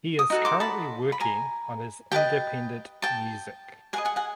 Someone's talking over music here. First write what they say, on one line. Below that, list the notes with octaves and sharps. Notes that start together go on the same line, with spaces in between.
He is currently working on his independent music.
D#6
D#4 F#4 A4
C6 D6
A5 B5
B5
G#5 A#5
G4 B4 D#5 G5 A5
G5 A5
G#4 B4 D#5 F#5 G#5
F#5 G#5
F#5 G#5